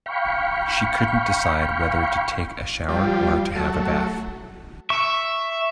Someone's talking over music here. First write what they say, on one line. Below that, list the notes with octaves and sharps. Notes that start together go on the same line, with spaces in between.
She couldn't decide whether to take a shower or to have a bath.
F5 G5 B5 C#6
F3 G3
F#3 A3
E5 C#6